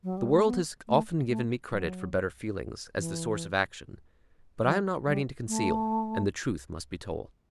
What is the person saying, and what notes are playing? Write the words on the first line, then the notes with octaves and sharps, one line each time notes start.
The world has often given me credit for better feelings, as the source of action, but I am not writing to conceal, and the truth must be told.
F#3
G3
A3
B3
A3
A3
F#3
E3
F#3
G3
A3